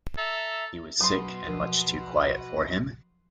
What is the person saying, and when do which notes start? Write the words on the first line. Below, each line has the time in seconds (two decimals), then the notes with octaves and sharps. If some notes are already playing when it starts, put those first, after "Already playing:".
He was sick, and much too quiet for him.
0.18 A4 E5 A#5
1.00 F#3 F#4 B4 C6 D#6
1.44 F3 A#4